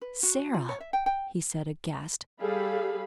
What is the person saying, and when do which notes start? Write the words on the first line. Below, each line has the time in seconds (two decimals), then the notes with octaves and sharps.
"Sara!" he said, aghast.
0.02 B4
0.23 F#4
0.54 F4
0.69 C#5
0.80 E5
0.93 G5
1.06 G5
2.40 G3 G#4 A4 F5 B5